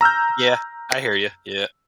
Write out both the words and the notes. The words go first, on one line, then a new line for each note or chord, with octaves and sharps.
Yeah, I hear you, yeah.
A#5 E6 F6 G6